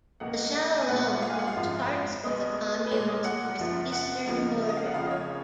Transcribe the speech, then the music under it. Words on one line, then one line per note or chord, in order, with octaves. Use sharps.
The Chalaronne forms parts of the commune's northeastern border.
C#2 B2 A#3 F#5
G#5
A#1 A#2 G#3 F#5
F#5
F5
G#5
F#5
F5
G#1 F#2 F3 G#3
B1 B2 G#3 B3 D#5
B4
B1 A#2 G#3 C#5
D#5
F#5
F#1 F#2 F3
F#5
C#2 C#3 F3 A#3
D#5
F5
F#5
F2 C#3 F3 F5
D#5
C#5